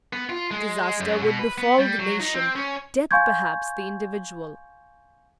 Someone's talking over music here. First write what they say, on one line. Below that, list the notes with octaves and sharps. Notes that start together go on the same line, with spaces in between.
Disaster would befall the nation,--death, perhaps, the individual.
B3
F4
G#3
F#2
B2
B4
B3
G3
F#3
D#4
C4
C#4
F5 G#5 C6 C#6 G6 G#6